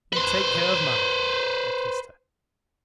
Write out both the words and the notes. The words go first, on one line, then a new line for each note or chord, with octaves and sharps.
"You take care of Mother." I kissed her.
B4 C5